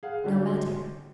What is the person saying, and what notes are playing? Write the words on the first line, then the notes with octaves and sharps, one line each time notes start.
"No matter."
G#4 F5 F#5
D3 F#3 C#4 D4 F#4 G4